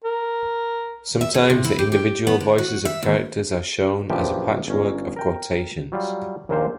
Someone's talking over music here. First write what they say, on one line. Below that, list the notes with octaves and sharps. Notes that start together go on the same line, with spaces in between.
Sometimes the individual voices of characters are shown as a patchwork of quotations.
A#4
E5
G#4
C3
E4
G4
G4
B3
D3
F#4
E5
D#2
A#1 F#2 E3 F3 G4 G5
G1 C#4 A#5
A#4 G5
F#3 G3 F4
A#1 D#2 A#2 A#3 F4 C5